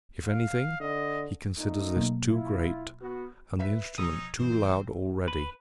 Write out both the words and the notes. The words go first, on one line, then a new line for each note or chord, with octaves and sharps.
If anything, he considers this too great and the instrument too loud already.
F5
D3 D#5
A#2 A3 D#4
B2 F#3 A#3
E4 F4
B3 F#4
B4 E5 B6
B2 F3 C#4 D#4 D#6 E6
G2 B2 E3 C4 C5
B4